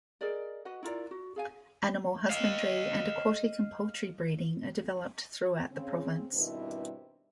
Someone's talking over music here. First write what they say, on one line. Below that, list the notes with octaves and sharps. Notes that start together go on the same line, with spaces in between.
Animal husbandry, and aquatic and poultry breeding are developed throughout the province.
G#4 A#4 D5 D#5
F#4 B4 D#5 F#5
E4 F4 A#4 D5
F#4
G#4 F5 G#5
D#5 F5
C#3 C4
G2 B2 D#3 G3 C4 E4